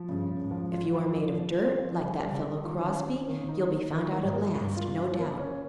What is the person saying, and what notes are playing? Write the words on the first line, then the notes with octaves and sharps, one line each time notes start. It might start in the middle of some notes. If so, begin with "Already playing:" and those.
If you are made of dirt, like that fellow Crosbie, you'll be found out at last, no doubt.
Already playing: F3
G2 C#3
C#3
G#2
F3
F4
F3
F3
A#3
F4
F3
C#3 G3
G3
C#3
G3
D#3 F4
C#4
C#4
D#3 A#3
D#4
A#3
D#3 D#4
A#3
G#2
A#3
G2 A#3
F4
F4
A#3
C#4